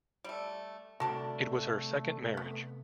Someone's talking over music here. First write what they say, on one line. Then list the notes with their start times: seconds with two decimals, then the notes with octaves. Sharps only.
It was her second marriage.
0.24 G3 A3
1.00 C3 D#3 G3 A3 D4 F#4 A5
2.37 B3